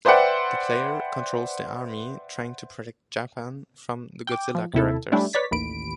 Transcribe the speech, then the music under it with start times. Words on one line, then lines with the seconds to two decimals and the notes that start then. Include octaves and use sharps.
The player controls the Army, trying to protect Japan from the Godzilla characters.
0.05 B4 C5 D5 E5 F#5 G5
4.27 G5 D6
4.55 F3
4.74 D#2 C3 E4 A4
5.12 G3 A3 C#4 D4 E4 G4
5.33 B4 C#5 D5 A6 B6
5.51 A1 D#2 B5 D7